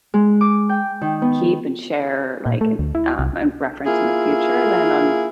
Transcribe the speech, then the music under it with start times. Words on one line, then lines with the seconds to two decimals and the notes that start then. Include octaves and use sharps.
keep and share, like, uh, and reference in the future, then, um,
0.14 G#3
0.41 D6
0.69 G5
1.02 D#3
1.22 B3
2.46 A#2
2.61 A3
2.79 D2
2.95 E4
3.19 C2
3.86 A#3 E4 F4 G#4